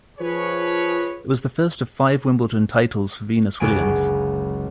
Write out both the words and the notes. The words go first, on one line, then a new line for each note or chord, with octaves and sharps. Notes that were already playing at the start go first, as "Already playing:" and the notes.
It was the first of five Wimbledon titles for Venus Williams.
F3 G#4 B4 C#5
F#1 C#2 B4 G#5 D7